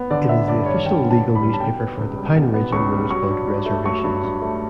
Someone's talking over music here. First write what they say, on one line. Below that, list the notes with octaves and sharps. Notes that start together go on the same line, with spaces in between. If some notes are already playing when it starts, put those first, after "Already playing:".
It is the official legal newspaper for the Pine Ridge and Rosebud reservations.
Already playing: B3
D3 D5
B3 E5
G2 D5
G3 C#5
D3 G5
B3
A5
G2
B5
G3
A5
B2 G5
B3
C#2
G3
B2
B3
C#2 C#6
G3
F#3 C#6
G2
G2
A3
F#3 C#6
G2
G2
A3